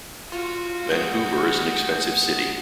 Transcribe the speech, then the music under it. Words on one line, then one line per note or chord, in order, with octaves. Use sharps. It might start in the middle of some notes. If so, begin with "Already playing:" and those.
Vancouver is an expensive city.
F4 F#4
G#3 A3 F#5 D#6 G6